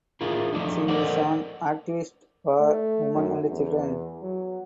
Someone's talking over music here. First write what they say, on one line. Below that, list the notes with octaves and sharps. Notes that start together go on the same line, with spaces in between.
She is an activist for women and children.
E4 F4 G#4 A#4
F3 A3 D4 D#4
A4 A#4 C5 D5 D#5 F#5
A3
F#2
E2
F#3